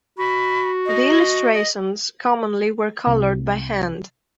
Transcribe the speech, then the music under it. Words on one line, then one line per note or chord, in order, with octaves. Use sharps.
The illustrations commonly were colored by hand.
F#4 B5
D#5
D#5
C2